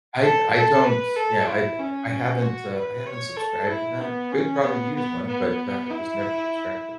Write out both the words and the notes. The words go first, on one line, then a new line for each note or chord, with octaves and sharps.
I d I don't Yeah, I d eh, I haven't, uh I haven't subscribed to that. Could probably use one, but I just never subscribed to it.
A4
A4
B4
A4
E4
C#4
C#4
F#4
B4
C#5
A4
E4
B3
C#4
B3
B3
B3
E4